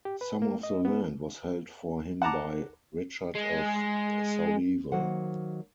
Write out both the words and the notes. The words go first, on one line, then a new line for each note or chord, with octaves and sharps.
Some of the land was held for him by "Richard of Soudeval".
G4
B4
A#3
D#5
B3
F#5 A5 A#5 D6
G#3
D#3 F#3 A#3 C5 F#5